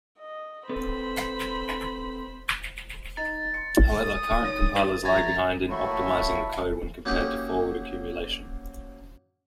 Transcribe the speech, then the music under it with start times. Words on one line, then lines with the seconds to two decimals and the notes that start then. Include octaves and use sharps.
However, current compilers lag behind in optimizing the code when compared to forward accumulation.
0.19 D#5
0.69 C4 A4 B4 C5 B5
3.17 D#4 A#5 A6
3.54 C6 C#7
4.02 D#6
4.40 D#3 C#5 A#6
4.75 B4
5.05 F3 G#4 E5 F#5 A#5 C#6 G#6 A6
5.70 E3 A3 A#3 F#4 C#5 E5 A5 B5
7.05 F#3 A#3 C#4 D#4 F#4 G4